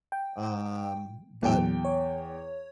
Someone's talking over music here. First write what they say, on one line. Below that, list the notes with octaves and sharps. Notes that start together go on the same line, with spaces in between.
um, but
G5
E2 A#2 F#3 G5
C#5